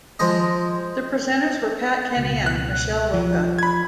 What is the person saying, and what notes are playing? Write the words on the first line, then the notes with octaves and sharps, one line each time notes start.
The presenters were Pat Kenny and Michelle Rocca.
F3 G#3 D#5
C#2 B2
F#6
F3
C5 B5 G#6